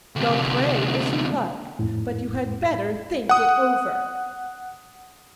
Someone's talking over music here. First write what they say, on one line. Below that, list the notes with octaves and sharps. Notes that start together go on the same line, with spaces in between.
Well, pray if you like, but you had better think it over.
D2 C3
F2 A2
F#5 D#6